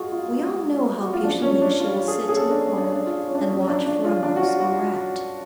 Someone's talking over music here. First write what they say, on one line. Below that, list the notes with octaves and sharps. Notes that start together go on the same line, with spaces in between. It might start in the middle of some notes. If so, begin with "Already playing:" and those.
We all know how patiently she will sit in a corner, and watch for a mouse or rat.
Already playing: G#2 F4 F#4 G#4
F4
F#4
F4
F#2 F3 D4
C#4
D4
F4
G#4
G#4
A4
D4
C#4
D4
D4
F4
C#4
D4
F#2 F3 C#4
D4
D4
F4
D4
F#4
F4
F#4